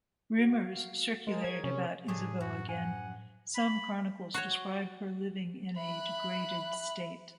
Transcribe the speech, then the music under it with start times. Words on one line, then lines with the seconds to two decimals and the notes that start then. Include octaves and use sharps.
Rumors circulated about Isabeau again; some chronicles describe her living in a "degraded state".
0.39 F#4
0.53 F5
1.27 G#3 G#4 A#4
1.44 C#5 G#6
1.64 C3 C#4
2.08 A2 C#3 G3 D4 G#4
2.41 F#2 F#4
2.69 F#5 G#5
3.55 B5
4.34 F#4 C#5
5.77 E5 B5 F#6